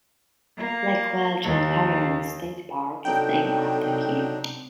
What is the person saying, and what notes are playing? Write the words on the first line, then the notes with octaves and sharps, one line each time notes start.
Lake Welch in Harriman State Park is named after him.
A#3
D#2
C3 F#3 C4 D4 D#4 A4 G5